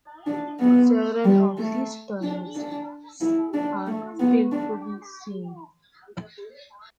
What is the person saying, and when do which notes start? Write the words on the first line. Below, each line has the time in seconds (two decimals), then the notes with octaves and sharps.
Several of these tunnels are still to be seen.
0.26 D4
0.60 B3
1.25 G3
1.57 A3
2.23 D4
2.55 D4
3.21 E4
3.54 D4
3.87 A3
4.19 B3
4.52 D4